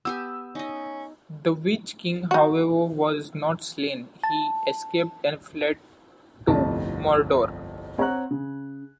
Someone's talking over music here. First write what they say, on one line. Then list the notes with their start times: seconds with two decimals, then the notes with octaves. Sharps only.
The Witch-king, however, was not slain: he escaped and fled to Mordor.
0.05 B3 G4 G#5 E6
0.55 C#4 D#4 D#5
2.31 D#4 F#4
4.24 A5
6.47 G1 C2 F2 A3 A5
7.98 C4 C#5 F#5 A#5 F#6
8.31 C#3